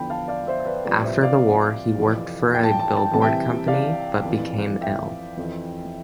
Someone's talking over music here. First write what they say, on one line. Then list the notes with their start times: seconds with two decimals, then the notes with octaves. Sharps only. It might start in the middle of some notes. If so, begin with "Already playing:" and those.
After the war he worked for a billboard company, but became ill.
Already playing: E2 D3 F3 G5 B5
0.10 F5 A5
0.28 D5 F5
0.47 C5 E5
0.66 B4 D5
0.85 C2 C3 F3 B4 D5
1.04 C5 E5
1.22 D5 F5
1.99 F2 C3 E3
2.54 G5
2.63 A5
2.71 G5
2.79 A5
2.88 G5
2.97 A5
3.05 G5
3.11 C2 C3 E3 A5
3.22 E5 G5
3.68 D5 F5
4.25 F2 E3
4.81 E5 G5
5.37 F2
5.42 E3